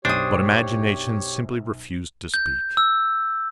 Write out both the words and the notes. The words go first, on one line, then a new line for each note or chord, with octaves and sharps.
But imagination simply refused to speak.
B1 F#2 D4 G4 C5 C#5 D#6
G6
E6